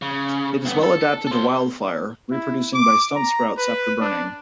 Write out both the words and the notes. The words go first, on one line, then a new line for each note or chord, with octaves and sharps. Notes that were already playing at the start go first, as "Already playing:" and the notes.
It is well adapted to wildfire, reproducing by stump sprouts after burning.
C#3
G2 B3
A4
A4 C5
E4
D6
A#5
B4
D4